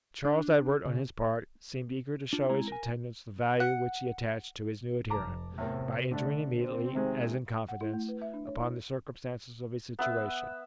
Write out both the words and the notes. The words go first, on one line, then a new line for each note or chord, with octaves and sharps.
Charles Edward, on his part, seemed eager to show his attendants the value which he attached to his new adherent, by entering immediately, as in confidence, upon the circumstances of his situation.
D4
C#3
D4 F4
G#3 C4 E4 A#5
A#4 G#5
F#5
F1 A5 A#5 D6
E2 A2 C3 A#4
D3 A3 D4
C4
C3 D#3 G#3
F#5
E4
A3
B4
E5
D4
C#5
E4
B3 E5